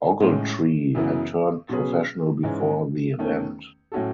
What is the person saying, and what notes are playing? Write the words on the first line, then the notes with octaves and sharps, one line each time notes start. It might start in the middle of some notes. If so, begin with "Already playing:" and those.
Ogletree had turned professional before the event.
A2 G#3 C#4
F#2 C#3 E3 B3 E4
B2 F#3 C#4 G#4 B4
G#2 E3 G#3 C#4
E2 D#3 A3 C#4
A2 F#3 C#4 F#4 A4